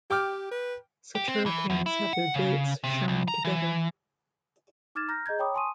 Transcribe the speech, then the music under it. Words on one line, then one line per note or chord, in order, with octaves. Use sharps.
Such hurricanes have their dates shown together.
G4 G5 D6 F6
B4
G4
C4
E3
E2
E4
F#5
C#3
C3
C2
A#5
E3
D#4 D6 F6 G#6 A6 E7
A#5 F6 G6 A#6
G#4 D#5 A#5 G6 G#6
C#5 G5 A#5 B5 D6 D#6
G#5 A5 C6 C#6 D#6 D#7